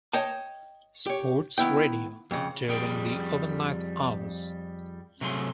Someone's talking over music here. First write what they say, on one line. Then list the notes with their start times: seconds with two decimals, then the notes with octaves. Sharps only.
Sports Radio during the overnight hours.
0.13 C#5 D#5 G5 A5
1.06 G4 C#5
1.58 D#3 B3 E4 G5
2.31 F2 C#3
2.68 F2 G3 G#4 G5
5.21 C3 F#3 A3 G#4 C6